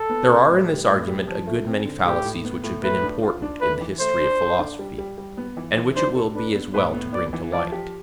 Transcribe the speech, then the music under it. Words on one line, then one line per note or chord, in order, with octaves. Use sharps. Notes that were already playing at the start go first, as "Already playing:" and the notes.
There are in this argument a good many fallacies which have been important in the history of philosophy, and which it will be as well to bring to light.
Already playing: A4
B3
C3
A2
G3
A2
G3
F3
A3
C4
D3
A2 G4
A2
B3
A2
A3 B4
D4
F4
D4
A3 B4
E3
A3 C5
D4
A4
D4
G3
G3
G3
B3
E3
E3
D4 C5
A4
D4 B4
B3
A2 B4
B3
B3 D5
E3
F3 D5
G4